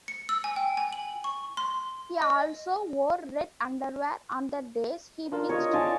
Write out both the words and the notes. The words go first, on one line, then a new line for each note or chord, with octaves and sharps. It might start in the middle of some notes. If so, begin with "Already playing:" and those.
He also wore red underwear on the days he pitched.
C#7
E6
G#5
G5
G#5
F#7
C#6
C6
D#5
D4 F4 A#4
C#5 D#5
F4 D5 G#5 A5